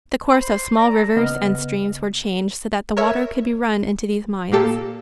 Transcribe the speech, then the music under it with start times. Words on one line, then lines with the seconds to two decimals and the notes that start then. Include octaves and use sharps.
The course of small rivers and streams were changed so that the water could be run into these mines.
0.28 B5
0.39 C5
0.77 D5 A#5
0.90 A4
1.16 C#3 B3 D#5 F6
2.97 A#4 C#5 E5
4.52 A#2 A#3 G4 A4